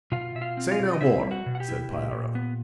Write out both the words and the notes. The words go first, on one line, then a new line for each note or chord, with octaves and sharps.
"Say no more!" said Piero.
B2 F4 F5
B2 E5
F4 F5
C4
F4 F5
B2
D5
D#5
C4 E4 E5
G3
F#4 F#5
B2
F#5
G4 G5
E4
A#2
A#2
B3